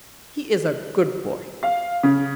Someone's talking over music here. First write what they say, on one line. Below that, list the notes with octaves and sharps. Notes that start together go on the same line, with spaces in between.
He is a good boy.
F5
C#3